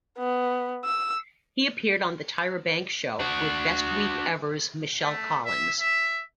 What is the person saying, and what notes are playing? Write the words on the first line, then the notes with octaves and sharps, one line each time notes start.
He appeared on "The Tyra Banks Show" with "Best Week Ever"'s Michelle Collins.
B3
E6
D4 F#4
A3
E5
E5